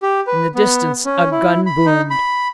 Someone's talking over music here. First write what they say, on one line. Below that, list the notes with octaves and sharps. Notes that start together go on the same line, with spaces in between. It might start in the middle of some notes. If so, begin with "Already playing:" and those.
In the distance a gun boomed.
G4
B4
B3
C#4
E4
B5
D#4
B5